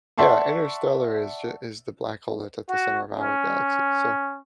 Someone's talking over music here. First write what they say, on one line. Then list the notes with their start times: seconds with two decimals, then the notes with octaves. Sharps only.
Yeah, interstellar is ju is the black hole that's at the center of our galaxy. So
0.18 D5 E5 F#5 A5 C6 C#6
2.69 F#4
3.19 C#4